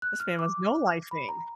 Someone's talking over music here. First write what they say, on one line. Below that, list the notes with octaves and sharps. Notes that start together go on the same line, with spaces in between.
This man was no lifing.
F#6
F6
D6
B5
A#5